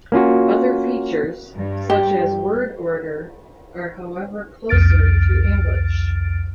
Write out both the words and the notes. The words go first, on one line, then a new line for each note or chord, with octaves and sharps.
Other features, such as word order, are however closer to English.
A#3 C#4 F4 F#4
G2
G4
C2 F2 F6 A6 D7